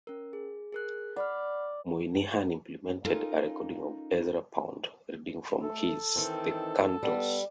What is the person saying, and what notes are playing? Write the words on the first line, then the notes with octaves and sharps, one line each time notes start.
Moynihan implemented a recording of Ezra Pound reading from his "The Cantos".
C#4 A#4
G#4
G#4 A#4 F#6
D5 F#5 B5 F6
C#4 D#4 F4 A4 A#4
A3 A4
D#3 E3 C4
G3 B3